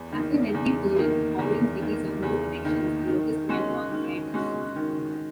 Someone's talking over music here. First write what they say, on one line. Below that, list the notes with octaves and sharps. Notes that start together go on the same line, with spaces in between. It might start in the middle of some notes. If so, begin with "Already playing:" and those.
After lengthy touring following the release of "New Erections", The Locust went on hiatus.
Already playing: E2
D#3 A#3
E2
D#3 A#3
E2
D#3 A#3
E2
D#3 A#3
D#3
G#3 C#4 F#4
D#3
G#3 C#4 F#4
D#3